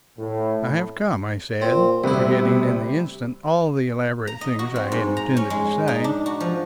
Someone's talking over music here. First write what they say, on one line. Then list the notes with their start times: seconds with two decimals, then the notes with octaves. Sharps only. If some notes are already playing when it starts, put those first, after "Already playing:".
"I have come," I said--forgetting in the instant all the elaborate things I had intended to say.
0.18 A2
1.62 A#2 C4
2.04 D2 C3 G3 B3 C4 E4
4.27 A#5
4.41 D#5
4.59 F#4
4.76 C4
4.92 G#2
5.17 A#5
5.37 C#4
5.50 G#3
5.88 D#4
6.04 D4
6.26 F#4
6.40 F3